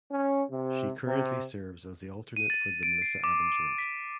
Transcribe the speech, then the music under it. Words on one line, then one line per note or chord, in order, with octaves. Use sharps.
She currently serves as the alternate for the Melissa Adams rink.
C#4
C3
C3
D#7
A6
D7
C7
D6
B6